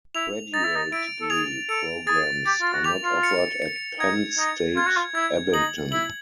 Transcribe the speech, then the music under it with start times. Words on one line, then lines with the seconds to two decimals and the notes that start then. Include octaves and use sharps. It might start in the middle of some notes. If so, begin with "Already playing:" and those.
Graduate degree programs are not offered at Penn State Abington.
0.15 E4 F7
0.54 D#4 A6
0.64 E4
0.76 D#4
0.92 E4 D7
1.21 A4
1.30 G#4 F7
1.69 A4 D7
2.07 G#4 A6
2.46 G4 A6
2.61 F4
2.73 F#4
2.84 G4 F7
3.04 F4
3.23 C#7
3.62 C#7
3.99 D#4 G#6
4.38 D#4 G#6
4.77 F4 G#6
4.87 F#4
4.96 F4
5.15 E4 G#6
5.53 D#4 F#7
5.92 E4 F#7